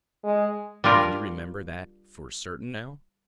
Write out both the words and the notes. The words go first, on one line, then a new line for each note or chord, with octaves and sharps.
"And you remember that for certain now?"
G#3
G3 D4 F4 A#4